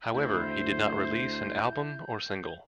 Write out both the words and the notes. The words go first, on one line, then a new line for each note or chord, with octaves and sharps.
However, he did not release an album or single.
D2 E4 C5 G6